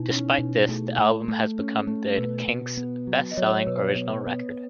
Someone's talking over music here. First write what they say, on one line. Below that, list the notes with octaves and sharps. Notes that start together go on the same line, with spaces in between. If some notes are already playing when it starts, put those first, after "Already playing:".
Despite this the album has become the Kinks' best-selling original record.
Already playing: B2 D#4 E4
C#4
D#4
D#4
B2 E4
F#4
A3 G#4
A4
A3
A3
C#4
A3
B2 B4
B2
B3
F#3
D#5
F#3 C#5
C#5
B2 B4
B3
B3